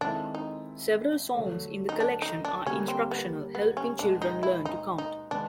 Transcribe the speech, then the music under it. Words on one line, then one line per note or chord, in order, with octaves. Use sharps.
Several songs in the collection are instructional, helping children learn to count.
D#3 G#3 C4 D4 E4 A4
D#4
D3 F#3 A3
D#4
D4
D#4
D4
D3 G3 A#3 C#4 D4 G4
C4
B3
B3
C#4
B2 G#3 B3 D4
D#4
E4
D#4
D#4
D#3 G#3 B3 D4